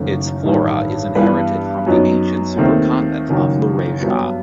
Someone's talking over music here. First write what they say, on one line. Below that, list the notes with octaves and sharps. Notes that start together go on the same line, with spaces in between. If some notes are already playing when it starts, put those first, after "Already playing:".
Its flora is inherited from the ancient supercontinent of Laurasia.
Already playing: F#1 F#2 D#3 F#3 A3
A1 G2 D#3
G2 E3 G3 B3 B4
F#2 F#3 B3 D#4
D#2 D#3 A3 C4
F#1 F#2 D#3
G2 F#3 B3